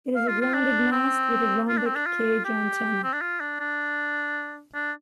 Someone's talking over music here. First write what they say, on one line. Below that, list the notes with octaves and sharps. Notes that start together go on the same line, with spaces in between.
It is a grounded mast with a rhombic cage antenna.
F5
F4
F4
D4
C4
F4
D4
C4
D4
F4
G4
C4
D4
F4
D4
D4
D4